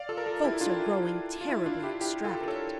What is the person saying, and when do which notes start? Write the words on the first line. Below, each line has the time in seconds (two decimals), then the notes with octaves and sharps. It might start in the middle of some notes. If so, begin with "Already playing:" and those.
"Folks are growing terribly extravagant."
Already playing: D5 F5
0.09 F4 A4
0.18 A#4
0.26 F4 A4
0.44 E4 G4
0.61 D4 F4
1.41 F4
1.49 E4
1.66 D4 F4
1.84 E4 G4
2.01 E4 G4
2.24 F4 A4
2.41 A#4
2.47 A4 C#5